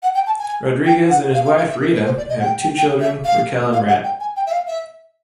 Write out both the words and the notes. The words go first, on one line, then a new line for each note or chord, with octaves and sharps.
Rodriguez and his wife, Rita, have two children, Raquel and Rhett.
F#5
G5
A5
G#5
G5
F#5
F5
F5
F5
E5
A#4
B4
C5
D5
D#5
F#5
G5
G5
G5
E5
F5
F5
F#5
G5
G#5
G5
E5
F5
E5